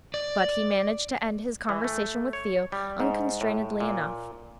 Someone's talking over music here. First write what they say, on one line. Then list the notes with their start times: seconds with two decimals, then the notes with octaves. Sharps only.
But he managed to end his conversation with Theo unconstrainedly enough.
0.14 D5
1.69 E3
1.84 A3
2.33 C#5
2.72 G3
3.00 G#2
3.41 A2
3.80 A#2